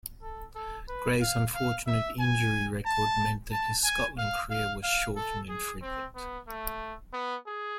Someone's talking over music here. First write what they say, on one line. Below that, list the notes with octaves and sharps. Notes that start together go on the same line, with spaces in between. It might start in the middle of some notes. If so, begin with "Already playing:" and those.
Gray's unfortunate injury record meant that his Scotland career was short and infrequent.
A4
A4
B4
F5
F5
E5
G#5
A5
A5
G#5
F5
F5
F5
A4
G#4
C4
B3
A3
B3
G#4